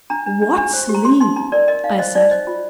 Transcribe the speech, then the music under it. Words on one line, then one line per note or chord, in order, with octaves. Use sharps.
"What sleep!" I said.
D4 A#5
D4
D4
D4
C5
G4
A#5
G4 C6
D#4 C6
D#4 A#5
A#4 D5
A#4 D#5
D#4 F5
C5 D#5
D#4 D5
C5 D#5
F4